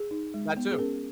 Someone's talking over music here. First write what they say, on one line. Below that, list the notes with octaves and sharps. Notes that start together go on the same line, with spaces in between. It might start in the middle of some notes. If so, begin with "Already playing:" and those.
that too.
Already playing: G#4
D#4
G#3
B3
G#4
C#4 A#4